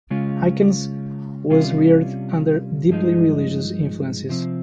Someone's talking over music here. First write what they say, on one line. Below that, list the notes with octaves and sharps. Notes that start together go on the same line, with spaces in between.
Aikens was reared under deeply religious influences.
C#3 G#3 C#4 F4
C3 G3 C#4 F4
G2 F3 G#3 D#4
C3 F3 C4